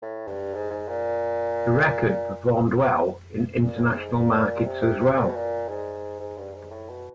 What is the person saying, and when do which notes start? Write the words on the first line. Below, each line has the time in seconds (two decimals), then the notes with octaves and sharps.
The record performed well in international markets as well.
0.02 A2
0.27 G2
0.54 G#2
0.71 G#2
0.89 A#2
2.08 A#2
3.62 A#2
3.79 A2
3.97 G#2
4.14 A#2
4.65 C3
4.82 C3
5.00 C3
5.17 A#2
5.26 B2
5.36 A#2
5.69 G#2
6.20 G#2
6.38 G2
6.54 G#2
6.71 A2
6.89 B2